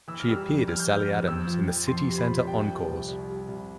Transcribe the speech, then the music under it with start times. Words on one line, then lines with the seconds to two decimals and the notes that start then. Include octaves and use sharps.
She appeared as Sally Adams in the City Center Encores!
0.08 E3 E6
0.20 F6
0.28 G3 E6
0.48 F2
0.67 E3 F6
0.80 G6
0.88 E3 F6
1.08 F2
1.27 F2 E6
1.47 F3
1.68 F2
1.87 F2 C6
2.08 C3 C6
2.18 B5
2.28 F3
2.47 C2 G5
2.67 C3
2.88 C2
3.08 C2
3.28 G3
3.48 C2